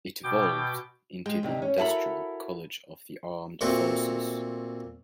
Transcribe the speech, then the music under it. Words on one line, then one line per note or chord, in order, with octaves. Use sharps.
It evolved into the Industrial College of the Armed Forces.
B2 G5 D6
G#3 G5
D2 C3 D#4
C#4
E4 F#4 A4 A#4 B5
A#2 A3 C4 F#4